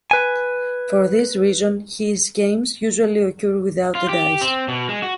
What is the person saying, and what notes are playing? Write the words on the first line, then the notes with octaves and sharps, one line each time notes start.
For this reason, his games usually occur without a dice.
B4 G#5
F4
G4
C4
B2
G#3
F#4